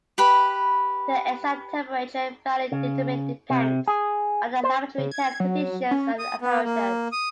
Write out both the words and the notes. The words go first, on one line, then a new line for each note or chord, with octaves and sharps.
The exact temperature value determined depends on the laboratory test conditions and apparatus.
G4 B4 B5
C#3
C3
G#4
C5
C#3
G#6
F#3
C#4
D#6
B3
A#3
D#6